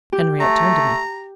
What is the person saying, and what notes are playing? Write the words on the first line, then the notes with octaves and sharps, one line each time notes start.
Henriette turned to me.
G4
A3 A#5